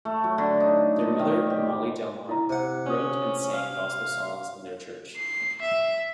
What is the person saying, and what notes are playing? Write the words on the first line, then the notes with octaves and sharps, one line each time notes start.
Their mother, Mollie Delmore, wrote and sang gospel songs for their church.
A3
F#3
D3
D#4
D#5
D#3
G4
E4 A#5
C3 F#5
C#4 C#5 D#6
F5
C7
E5